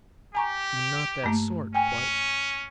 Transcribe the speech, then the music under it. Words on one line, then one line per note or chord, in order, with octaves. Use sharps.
"I am not that sort--quite."
G4 G#5 A#5 C#6
G2 A3 A#3
C#4 G5 G#5